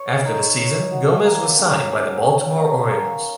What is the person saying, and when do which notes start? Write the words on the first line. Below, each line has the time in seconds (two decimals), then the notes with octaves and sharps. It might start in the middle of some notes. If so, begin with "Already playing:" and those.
After the season, Gomez was signed by the Baltimore Orioles.
Already playing: C#5
0.25 D#4
0.59 C#5
0.91 F#4
1.24 A#3
1.58 C#4
1.92 C#4
2.24 C#4
2.57 A#3
2.91 A#3